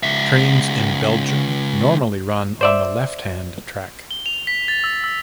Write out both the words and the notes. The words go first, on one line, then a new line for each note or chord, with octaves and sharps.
Trains in Belgium normally run on the left hand track.
C#2 E5
C5 D5 E5
G7
F7
B6
A6
E6
E6